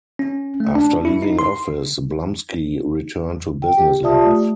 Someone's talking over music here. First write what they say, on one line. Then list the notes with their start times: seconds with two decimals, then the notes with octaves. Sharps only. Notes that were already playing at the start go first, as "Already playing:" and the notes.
After leaving office, Blumsky returned to business life.
0.19 C#4
0.60 A3
0.75 D4
1.05 E4
1.23 D#4
1.39 C6
3.62 G5
3.77 G4
4.03 F4 G4 D5 E5 A5 D#6
4.24 A3